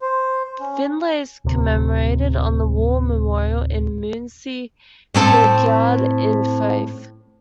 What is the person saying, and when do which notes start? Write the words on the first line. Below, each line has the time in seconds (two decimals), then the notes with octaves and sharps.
Finlay is commemorated on the war memorial in Moonzie Kirkyard in Fife.
0.02 C5
0.60 C#4
1.45 D1 C3
5.15 A2 C4 A4